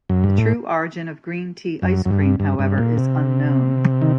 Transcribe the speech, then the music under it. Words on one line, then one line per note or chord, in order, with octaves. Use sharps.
The true origin of green tea ice cream, however, is unknown.
F#2
G2
A2
F#2
F#2
G2
G2
G2
A#2
C3
D#3